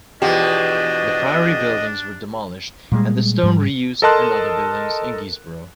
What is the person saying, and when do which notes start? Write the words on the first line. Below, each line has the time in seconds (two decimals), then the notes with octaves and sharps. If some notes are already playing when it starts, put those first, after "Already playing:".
The priory buildings were demolished and the stone re-used in other buildings in Guisborough.
0.22 E2 B2 F3 D4 G4 D#5
2.92 A#2 G3 G#3
3.43 G#2 G3
4.02 A4 A#4 D#5 A5 C6 F#6